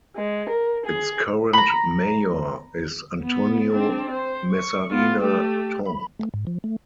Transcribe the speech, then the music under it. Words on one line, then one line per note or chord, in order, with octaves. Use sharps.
Its current mayor is Antonio Mezzarina Tong.
G#3
A#4
G#4
A#5 B5
B3
C4 D4
C5
C#6
B3 F4
A3 G4
B5
A3
G#2
F3
A3